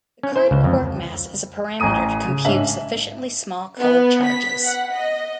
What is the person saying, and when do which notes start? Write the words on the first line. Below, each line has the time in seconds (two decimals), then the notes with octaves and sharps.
The current quark mass is a parameter to compute sufficiently small color charges.
0.23 C#4
0.36 C5
0.51 C#2
0.64 F2
1.80 A1 G#5 A#5 D#6 D#7
2.27 C#3
2.45 G#2 C#4 D4 E5 F5 F#7
3.79 B3
4.25 B6
4.63 F#5
4.94 D#5